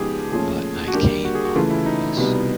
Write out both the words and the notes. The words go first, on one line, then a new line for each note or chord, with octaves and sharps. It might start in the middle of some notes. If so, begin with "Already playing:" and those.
But I came on purpose.
Already playing: C#3 F3 G#3 B3 D#4 G4 G#4
A#2 F3 A3 C#4 G#4
F#4
D3 G3 A#3 G4
F#4
G#4
F#4
C#3 E3 A3 F4
E4
D#4
C2 B2 G3 B3